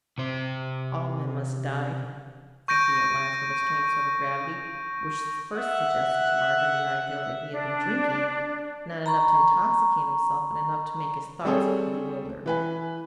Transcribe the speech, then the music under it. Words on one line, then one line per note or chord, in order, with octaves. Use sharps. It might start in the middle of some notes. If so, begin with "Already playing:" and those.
'All men must die,' said he at last, with a strange sort of gravity, which first suggested to Margaret the idea that he had been drinking--not enough to intoxicate himself, but enough to make his thoughts bewildered.
C3 C5
C#6 G6 A#6 D7 D#7
E5 F#5
D4
A#5 B5 C#6
G3 C4 G#4 A4 C#5
E3 B4 G#5